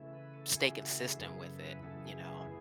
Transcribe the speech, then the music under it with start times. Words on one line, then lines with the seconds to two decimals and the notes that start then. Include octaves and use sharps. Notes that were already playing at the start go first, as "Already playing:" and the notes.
stay consistent with it, you know.
Already playing: C#3 E3 A3 E4
0.13 B4
0.34 A4
0.55 C#3 E3 A3 E4 G#4
0.71 F#4
0.87 F#4
1.04 G#4
1.19 F#2 C#3 E3 B3 E4 G#4
1.41 A4
1.62 B4
1.83 F#2 C#3 E3 B3 E4 A4
2.04 G#4
2.25 G#4